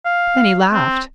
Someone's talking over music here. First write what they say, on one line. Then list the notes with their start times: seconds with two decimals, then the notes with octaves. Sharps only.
Then he laughed.
0.05 F5
0.73 C4